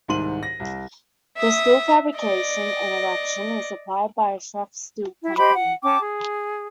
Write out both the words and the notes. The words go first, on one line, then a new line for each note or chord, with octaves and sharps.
The steel fabrication and erection was supplied by Schuff Steel Company.
C2 G#2 D#3 C6 D#7 F#7
A#6
C2
E5 D#6
D5 D#5
E4
G4 C5 D#5 B5
F#5
C#4 G5 A5 D6
G#4